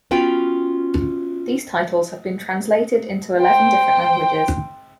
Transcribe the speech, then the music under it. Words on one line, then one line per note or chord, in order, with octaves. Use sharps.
These titles have been translated into eleven different languages.
B3 C#4 F4 F#4 G5
C5 G5